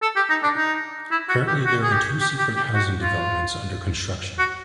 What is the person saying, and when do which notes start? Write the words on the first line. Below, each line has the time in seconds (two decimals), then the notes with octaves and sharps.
Currently, there are two seafront housing developments under construction.
0.02 A4
0.16 G4
0.29 D#4
0.43 D4
0.57 D#4
1.11 E4
1.29 F#4
1.47 G4
1.65 F#4
1.83 G#4
1.93 G4
2.20 G4
2.38 G4
2.56 G4
2.74 F#4
3.02 F4
4.38 F#4